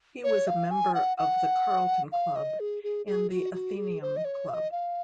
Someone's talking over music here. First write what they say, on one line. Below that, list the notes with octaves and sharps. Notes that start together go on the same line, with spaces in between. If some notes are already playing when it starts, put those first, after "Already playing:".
He was a member of the Carlton Club and the Athenaeum Club.
C#5
F5
G#5
F#5
F#5
F5
D#5
G#4
G#4
G#4
F#4
F#4
G#4
C5
D#5
C#5
F5
D#5
F5